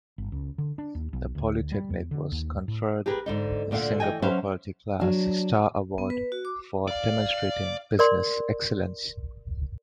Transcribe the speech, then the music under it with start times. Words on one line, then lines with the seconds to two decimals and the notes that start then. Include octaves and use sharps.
The polytechnic was conferred the Singapore Quality Class Star Award for demonstrating business excellence.
0.18 G1
0.32 C#2
0.58 D3
0.78 D4
0.95 D#2
1.13 B1
1.35 D2
1.72 G3
1.90 E2
2.11 D3
2.32 D#2
2.68 A2
3.06 G4 G#4 A#4 B4
3.26 G#2 D3 D#4
3.71 D2 A#2 D3 F5 F#5
4.00 E3 D#5 G5 G#5
4.22 F#3 C#4 B4 C5 E5 F5
5.00 F#3 D4
5.98 B3
6.10 B4
6.32 F#4
6.45 D6
6.88 D5 F5
7.99 A#4 D5 C6